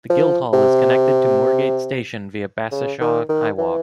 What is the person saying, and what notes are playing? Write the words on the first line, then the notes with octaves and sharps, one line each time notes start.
The Guildhall is connected to Moorgate station via Bassishaw Highwalk.
F3
C3
C#3
D#3
D#3
E3